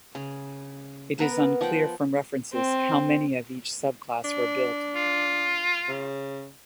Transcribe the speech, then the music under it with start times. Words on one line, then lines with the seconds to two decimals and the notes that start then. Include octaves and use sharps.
It is unclear from references how many of each subclass were built.
0.15 C#3
1.19 B3 A#4 B4
1.61 F3 F#5 G5
2.52 C4
4.25 D4
4.96 F4
5.89 C#3